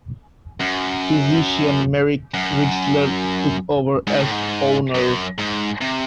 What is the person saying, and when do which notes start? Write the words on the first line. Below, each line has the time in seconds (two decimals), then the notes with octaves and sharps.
Physician Merrick Wetzler took over as owner.
0.61 F#2
2.34 F#2
4.07 G#2
4.19 A2
4.31 G#2
4.95 F#2
5.38 G#2
5.81 C3